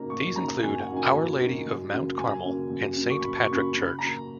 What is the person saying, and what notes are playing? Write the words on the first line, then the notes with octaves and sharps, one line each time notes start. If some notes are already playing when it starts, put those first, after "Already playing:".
These include Our Lady of Mount Carmel and Saint Patrick Church.
Already playing: F#2 C#3 F#3 A#3 D#4 A#5
F#2 C#6
C#3 F#3 A#3 D#4 A#5
F#2 G#5
F#5
C#3 F#3 A#3 D#4
G#5
F#2
C#3 F#3 A#3 D#4
F#2
C#3 F#3 A#3
F#2 G#5
C#3 F#3 A#3
F#2
C#3 F#3 A#3
C#6
F#2 B5
C#6
C#3 F#3 A#3
B5
C#3 B5
F#3 A#3 A#5